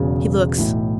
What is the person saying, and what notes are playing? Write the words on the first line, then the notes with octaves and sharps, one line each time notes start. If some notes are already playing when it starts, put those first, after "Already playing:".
He looks.
Already playing: E1 E2 C#3 F#3
B1 A2 E3